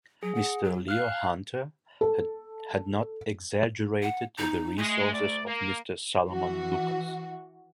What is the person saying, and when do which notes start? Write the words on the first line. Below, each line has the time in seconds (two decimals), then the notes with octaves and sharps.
Mr. Leo Hunter had not exaggerated the resources of Mr. Solomon Lucas.
0.23 F#3 G#4
0.35 F#5
0.64 F#3
0.88 F5 F6 F#6
2.01 A4
4.03 F#5
4.38 D#4
4.78 G#3 A3
5.12 D2 D5
5.45 A#3
6.27 E3 F#4